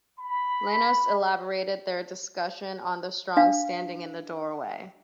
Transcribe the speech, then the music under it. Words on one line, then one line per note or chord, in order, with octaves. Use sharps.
Lanois elaborated their discussion on the song "Standing In The Doorway".
B5
D4 F5